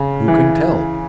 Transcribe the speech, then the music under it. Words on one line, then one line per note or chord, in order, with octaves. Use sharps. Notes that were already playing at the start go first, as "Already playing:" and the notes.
Who can tell?
Already playing: C#3
E3